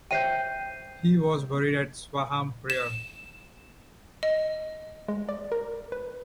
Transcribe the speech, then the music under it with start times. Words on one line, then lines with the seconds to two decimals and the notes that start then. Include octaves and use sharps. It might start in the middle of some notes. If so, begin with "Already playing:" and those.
He was buried at Swaffham Prior.
0.11 C5 E5 G5 G6 C7 D#7
2.70 E7
4.23 D#5
5.08 G#3
5.29 D5
5.52 A#4
5.92 B4